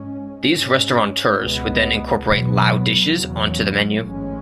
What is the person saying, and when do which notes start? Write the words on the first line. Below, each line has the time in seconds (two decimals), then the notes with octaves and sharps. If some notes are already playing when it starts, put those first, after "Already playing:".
These restaurateurs would then incorporate Lao dishes onto the menu.
Already playing: G#2 G#3 C#4
0.50 G#2 G#3 C#4
1.37 C#2 B2 G#3 B3
2.24 E2 B2 F#3 B3
3.11 E2 C#3 F#3
3.98 A1 G#2 G#3 C#4